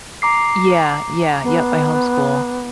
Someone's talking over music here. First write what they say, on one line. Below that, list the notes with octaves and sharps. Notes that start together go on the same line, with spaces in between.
Yeah, yeah yep, I homeschool.
A#5 D6 C7
B3